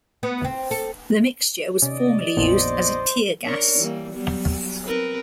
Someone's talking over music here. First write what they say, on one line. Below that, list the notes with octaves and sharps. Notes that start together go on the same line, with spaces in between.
The mixture was formerly used as a tear gas.
B3
C4
A4
D#2 C3 C#4 D5 D#5
A#1 F2 B3 C5
D4 A#4 C#5
E3 G3 A#3
F#3 G3 B3
C4 A#4 B4